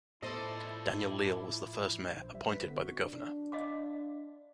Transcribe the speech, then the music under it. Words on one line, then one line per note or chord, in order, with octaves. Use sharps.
Daniel Leal was the first mayor, appointed by the governor.
A2 F3 B3 E4 A4 C5 D5 D#5
A#1 C5
G3 E5
B4 B6
D3 B3
F#4
D4
D#5 F5 D6